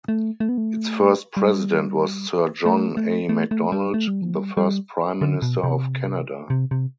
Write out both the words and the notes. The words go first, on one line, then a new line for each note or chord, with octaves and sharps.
Its first president was Sir John A. Macdonald, the first Prime Minister of Canada.
A3
A3
B3
A3
G3
A3
A3
A3
A3
G3
A3
G3
F3
G3
G3
D3
B2
C3
C3
C3